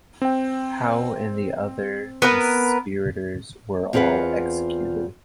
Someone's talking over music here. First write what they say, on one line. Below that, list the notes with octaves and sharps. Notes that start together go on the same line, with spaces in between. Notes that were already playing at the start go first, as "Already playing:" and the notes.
Hou and the other conspirators were all executed.
C4 G5
B3 A#4 B4
E2 C4 F4 G#4 B4 F#5